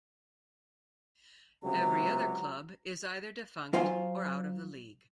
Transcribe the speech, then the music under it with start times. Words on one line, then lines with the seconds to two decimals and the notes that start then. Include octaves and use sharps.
Every other club is either defunct or out of the League.
1.63 C#2 C3 F#3 A#5
3.73 F#3 F4 C5 F5 G#5